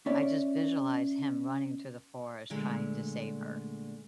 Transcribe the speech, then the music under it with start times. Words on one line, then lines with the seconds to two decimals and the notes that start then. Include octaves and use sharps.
I just visualize him running through the forest trying to save her.
0.06 C#4 D5 E5
2.50 A#2 D3 G#3 A3